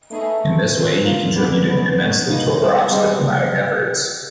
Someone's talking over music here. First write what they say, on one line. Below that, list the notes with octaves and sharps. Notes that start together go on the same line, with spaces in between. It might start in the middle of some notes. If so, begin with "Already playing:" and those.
In this way he contributed immensely to Iraq's diplomatic efforts.
A3 B3 D#4 G#4
F#3 A3 C4
C3 F3 G#3 C4 F4
A3 A#3 D4 F4
A#2 G3 A#3 B3 D4 G4
G#3 B3 C#4 F#4
B3 D#4 F#4 A#4
G#3 A#3 B3 D#4
G3 A3 C4 E4
D3 G3 G#3 C4